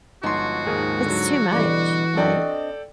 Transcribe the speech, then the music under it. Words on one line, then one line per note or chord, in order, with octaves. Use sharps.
it's too much, like,
G1 F3 G#3 D#4 F#4 C6
D#2 G#2 G#4 A#4
D3 F#3
B2 D3 E3 G3 D6
C4 D4 A4 D5 D#5 G5